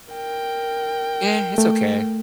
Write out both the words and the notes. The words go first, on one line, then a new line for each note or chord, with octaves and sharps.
Yeah, it's okay.
A#4 G5
A3